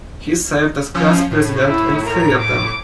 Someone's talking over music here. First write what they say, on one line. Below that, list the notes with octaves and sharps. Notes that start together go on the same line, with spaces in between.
He served as class president in three of them.
F3 C#4
A2
E4
A#4
D6